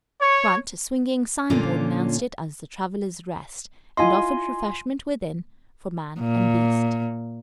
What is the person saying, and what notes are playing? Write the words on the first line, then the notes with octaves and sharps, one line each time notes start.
In front, a swinging sign-board announced it as the "Traveller's Rest" and offered refreshment within for man and beast.
C#5
A#2 D3 A#3 C#4 F4
E4 F4 D#5 G#5 C6
A#2